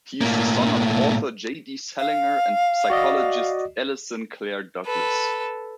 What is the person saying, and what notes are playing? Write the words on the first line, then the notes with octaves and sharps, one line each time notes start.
He is the son of author J. D. Salinger and psychologist Alison Claire Douglas.
A2 A#3
F5
F#4 D5 D#5
A4 B4